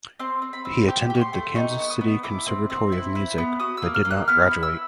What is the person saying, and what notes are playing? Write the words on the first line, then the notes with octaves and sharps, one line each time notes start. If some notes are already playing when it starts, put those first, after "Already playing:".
He attended the Kansas City Conservatory of Music, but did not graduate.
C4 C6
C4
B5
C4
G4 D6
G4
C#6
C6
A3
D#4 C#6
B3
D#6
B3
E4 D6
C4
C4
E4
E4
B3
F#4 D#6
A#3 E6
F6
A#3
F#6
B3 F6
E4
E6